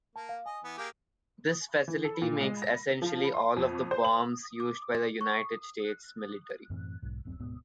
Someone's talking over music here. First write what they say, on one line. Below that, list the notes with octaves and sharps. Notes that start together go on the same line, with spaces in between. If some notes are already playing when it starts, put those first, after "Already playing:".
This facility makes essentially all of the bombs used by the United States military.
A#3 A5
F5
D#5 G#5
E3 B3
A#3 G4 G#4
E3
A4
A#2
G#3
A#6
F3
C6
F2
C5
F#7
D6
C#6
F#2 A2 E3 C4
B1 G#2
D1 F#2 C4
D1 G#2 B2 B3